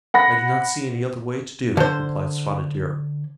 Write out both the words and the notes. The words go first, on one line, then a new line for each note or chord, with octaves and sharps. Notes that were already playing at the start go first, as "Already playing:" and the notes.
"I do not see any other way to do," replied Spotted Deer.
F#5 B5 A#6
D3 C5